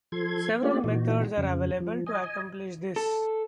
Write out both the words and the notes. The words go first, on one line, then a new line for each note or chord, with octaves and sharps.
Several methods are available to accomplish this.
F3 A4 C6 G#6
A3 A#3 D4 F4 G4 D5
A#2 E3 D#4 F#4
F2 C#3
F3
D#5 G#5
A4